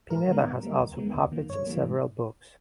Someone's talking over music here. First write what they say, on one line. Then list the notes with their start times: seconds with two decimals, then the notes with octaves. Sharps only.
Pineda has also published several books.
0.10 G#2 A#4
0.28 D#3 G#3 B3
0.46 G2
0.63 G3 A#3
0.80 D#2
0.97 D#3 G#3 B3
1.15 D#2
1.32 D#3 A#3
1.49 G2 C#5
1.67 E3 G3 A#3
1.83 G#2